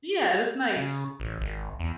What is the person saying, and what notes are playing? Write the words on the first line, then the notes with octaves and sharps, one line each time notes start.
Yeah, it was nice.
C#3
A1
G#1
E2